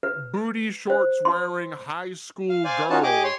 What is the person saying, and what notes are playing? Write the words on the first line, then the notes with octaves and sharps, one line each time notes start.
booty-shorts-wearing high school girl
B4
C5
C6
F5
C5 D5 F5 G#5
C#4 D#4 F4 F#4 A5
G4 G#4 D#5 D6
C#5 C6